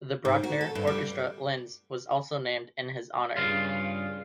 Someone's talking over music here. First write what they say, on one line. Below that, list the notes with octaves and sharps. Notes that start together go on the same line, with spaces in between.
The Bruckner Orchestra Linz was also named in his honor.
G#2
F#4
A4
G2
G3
G2 C#3 F4